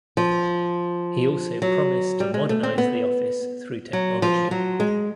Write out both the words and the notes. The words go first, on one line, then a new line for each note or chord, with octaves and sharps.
He also promised to modernize the office through technology.
F3
F#3
G3
G#3
A3
C4
B3
F#3
F3
F#3
G#3